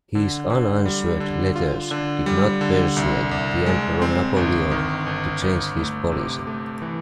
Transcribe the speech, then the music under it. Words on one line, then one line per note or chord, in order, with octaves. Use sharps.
His unanswered letters did not persuade the Emperor Napoleon to change his policy.
D3
D3
G3
D3
F4
D3
G3
D3
C2
C2
G#3
C4
G1
D#3
G1
G1
A3
C3
A3
E3